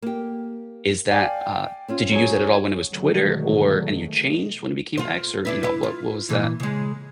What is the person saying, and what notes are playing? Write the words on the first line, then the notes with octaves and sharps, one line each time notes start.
Is that, uh did you use it at all when it was Twitter or and you changed when it became X or, you know, what what was that
A#3 G4
D5 F5 G5 G#5
C4 C#4 F4
F#3 G#4 C#5
B2 D3 D#3 F#3 G#3 A3
F4 C5
D4 E4 B4
E4 B4
F4
A#2 E3
C#3 G#3